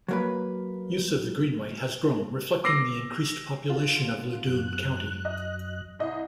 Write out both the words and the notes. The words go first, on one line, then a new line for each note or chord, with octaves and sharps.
Use of the Greenway has grown, reflecting the increased population of Loudoun County.
F#3 A#3 B4
D6 E6 A#6 C7
D3 F4
F#2 F#6
D#5
C2 D#5